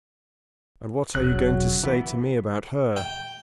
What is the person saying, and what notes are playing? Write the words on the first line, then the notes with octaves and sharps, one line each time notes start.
"And what are you going to say to me about her?"
E1 B1 C#3 F#3 F#6
E3 B3
G5